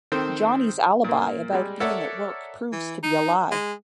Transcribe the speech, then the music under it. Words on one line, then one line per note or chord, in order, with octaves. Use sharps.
Johnny's alibi about being at work proves to be a lie.
D#3 C4 A4 C5
A#2 A#3
G3 G#3
A4 A#4 C#5 D5 E5 F#5
E3
D#4
G#3